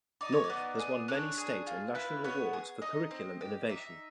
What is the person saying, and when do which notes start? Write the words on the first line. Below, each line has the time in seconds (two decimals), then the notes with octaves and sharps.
North has won many state and national awards for curriculum innovation.
0.21 D#4 D5
0.32 C#5
0.44 D5
0.50 B3
0.79 G#4
1.08 D4 C#5
1.38 G#4
1.66 F4
1.95 E4 B4
2.24 B3 C#5
2.53 G#4
2.82 D#4 D#5
3.11 C4
3.41 G4
3.69 D#4 E5